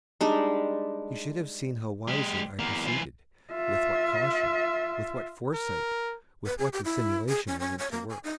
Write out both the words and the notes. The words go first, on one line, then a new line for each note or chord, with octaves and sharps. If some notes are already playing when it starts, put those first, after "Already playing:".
You should have seen how wisely I proceeded--with what caution--with what foresight--with what dissimulation I went to work!
G3 G#3 D4 D#4
G#3 G4
E2 A#3
E3 F4
F4 E5
A#4
B4
G#4
G4
E4
G#4
C#4
C#4
C#5
A#3
G#5
D#4